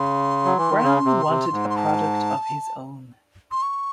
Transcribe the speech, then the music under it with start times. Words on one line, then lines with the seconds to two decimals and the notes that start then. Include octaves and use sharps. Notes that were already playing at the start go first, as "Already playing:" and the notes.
Brown wanted a product of his own.
Already playing: C#3 C6
0.45 F#3
0.57 E3
0.69 D#3
0.82 C#3
1.05 C3
1.29 C3
1.52 G#2
1.70 C6
1.76 A5
3.52 C6
3.62 C#6